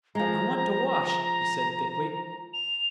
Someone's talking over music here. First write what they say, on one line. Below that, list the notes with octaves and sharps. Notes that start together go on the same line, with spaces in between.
"I want to wash," he said, thickly.
F3 G#3 A#5
F7